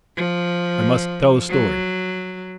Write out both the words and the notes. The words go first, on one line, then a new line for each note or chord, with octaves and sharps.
I must tell a story.
F3
F#3